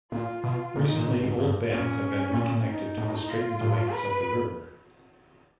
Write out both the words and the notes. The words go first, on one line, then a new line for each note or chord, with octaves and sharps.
Recently old bends have been reconnected to the straightened lengths of the river.
A#2 F4
B2
A#2 D#4
A#2
A2
G#2
G2
A#2 C#4
A#2
D#4
A2
F4
A2
B4